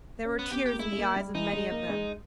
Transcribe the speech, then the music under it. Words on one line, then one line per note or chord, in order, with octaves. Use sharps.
There were tears in the eyes of many of them.
C#4
B3
B3 G4
G4
A#3
G#3 E4
G#3
A#3
G3
E3 D#4
G#3
A#3
G#3